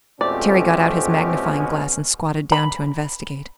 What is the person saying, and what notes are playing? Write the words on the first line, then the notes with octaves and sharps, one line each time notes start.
Terry got out his magnifying glass and squatted down to investigate.
F2 B2 G#3 A3 C4 C#4 G4 D5
B5